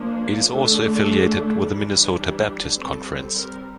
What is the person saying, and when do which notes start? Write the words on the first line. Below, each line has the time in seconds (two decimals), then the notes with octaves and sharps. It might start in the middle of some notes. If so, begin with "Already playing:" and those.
It is also affiliated with the Minnesota Baptist Conference.
Already playing: F3 A#3 D4
0.48 D3 A3 D4 A4
1.63 E3 G3 D4
2.21 G4
2.77 G3 C4 A4
3.35 A#4